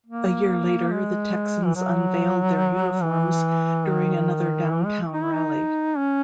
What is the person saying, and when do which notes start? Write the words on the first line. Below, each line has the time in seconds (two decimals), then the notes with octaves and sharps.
A year later the Texans unveiled their uniforms during another downtown rally.
0.06 A#3
0.91 G#3
1.65 E3
1.76 F#3
3.02 E3
3.87 D#3
4.71 E3
4.85 G#3
5.13 D#4
5.24 E4
5.34 D#4
5.97 C#4